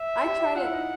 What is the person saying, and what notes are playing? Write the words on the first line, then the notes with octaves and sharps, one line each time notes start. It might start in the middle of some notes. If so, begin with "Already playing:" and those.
I tried it
Already playing: E5
G4
G4
F4 F#5
E4
D#4